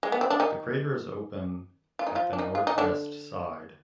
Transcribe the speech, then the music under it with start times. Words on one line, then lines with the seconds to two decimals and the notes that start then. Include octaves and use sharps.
The crater is open at the northwest side.
0.03 G#3
0.12 B3
0.21 C4
0.30 D4
0.40 D#3 D#4
1.99 F4
2.07 D#4
2.15 F3 F4
2.33 D4
2.38 D#3 D#4
2.55 F4
2.67 D#4
2.78 D3 D4